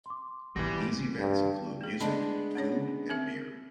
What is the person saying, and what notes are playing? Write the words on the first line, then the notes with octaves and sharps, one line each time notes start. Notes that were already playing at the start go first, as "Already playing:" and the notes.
These events include music, food, and beer.
C6 D6
G#1 D#2 B2 E3 G3 A#6
G2
A3 G#4
G#3 B3 D4 D#5 A5 B5
A#3 C#4 C#5
C4 A#4 E5